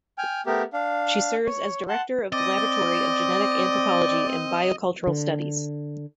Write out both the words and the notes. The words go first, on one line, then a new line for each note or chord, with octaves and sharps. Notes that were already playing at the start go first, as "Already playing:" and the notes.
She serves as Director of the Laboratory of Genetic Anthropology and Biocultural Studies.
G5 G#5 F6
A3 B3 G4 A#4
D4 F5
C#5
F#5 A5 C6
C4 D5 D#5
D3